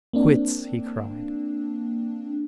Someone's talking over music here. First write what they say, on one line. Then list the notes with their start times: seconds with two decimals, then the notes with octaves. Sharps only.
"Quits!" he cried.
0.13 A#3 C4 D4